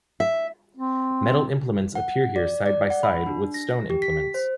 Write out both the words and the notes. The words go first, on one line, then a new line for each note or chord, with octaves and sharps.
Metal implements appear here side-by-side with stone implements.
E5
C4
F#5
D5
D5
F#5
B5
D4
A#6
G4
B6
C5